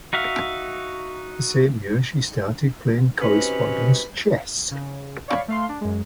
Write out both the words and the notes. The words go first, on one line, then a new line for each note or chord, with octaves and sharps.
The same year she started playing correspondence chess.
D#4 F#4 E5 F5
C4 C#4 D#4 F#4 G4 B4
C#3
C#5 D5 F5 B5 C#6
A3 F5 C6
D4
F#2 G#3